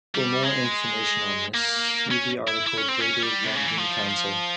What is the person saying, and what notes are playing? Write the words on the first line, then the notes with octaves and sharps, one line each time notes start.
For more information on this see the article, Greater London Council.
G3
G#3
A#3
C#4
E4
E4
C#4
C4
C#4
G3
C3
C#3
E3
F3